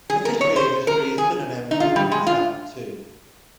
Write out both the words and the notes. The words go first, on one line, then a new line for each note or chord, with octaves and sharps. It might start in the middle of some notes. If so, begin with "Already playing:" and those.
The fishery industry is synonym with Mukah town too.
G#4
A#4
C#5
C5
A#4
G#4
D#4
F4
G3
G#3
F4